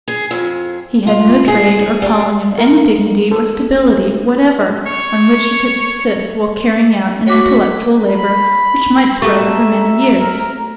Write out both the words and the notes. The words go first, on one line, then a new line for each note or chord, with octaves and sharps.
He had no trade or calling of any dignity or stability whatever on which he could subsist while carrying out an intellectual labour which might spread over many years.
G#4
F2
F4
G#4
G3
A#4
A4
C#5
F#4 C#5 D6 B6
B5
A3 F#4 G4 A4 E5 A#5
A#4